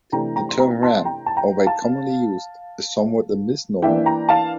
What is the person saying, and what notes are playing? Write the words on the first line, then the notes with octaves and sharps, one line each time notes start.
The term ram, albeit commonly used, is somewhat a misnomer.
C3 E3 A3 D4 G5 A#5
G5 A#5
C6
G5 A#5
A5 C6
G5 A#5
A5
G5 A#5
F5 A5
E3 A#3 D4 E5 G5
G5 A#5
F5 A5